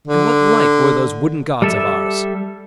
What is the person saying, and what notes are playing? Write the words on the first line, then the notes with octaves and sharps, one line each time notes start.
And what like were those wooden gods of ours?
D3
G3 A4 E5